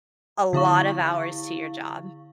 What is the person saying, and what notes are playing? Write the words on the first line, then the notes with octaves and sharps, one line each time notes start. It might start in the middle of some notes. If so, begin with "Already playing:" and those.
a lot of hours to your job.
D3 E4 F5 C#6